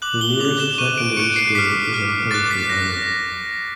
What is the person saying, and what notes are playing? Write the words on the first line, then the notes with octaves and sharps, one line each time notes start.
The nearest secondary school is on Thursday Island.
D6 F#6 F#7
G7
D6 F#6 F7
E7
C#6 F#6 D#7
D7
D7
C#6 F#6 C#7
C7
D6 F6 B6
D6 F6
D6 F#6 A6
B6
D6 F#6 A#6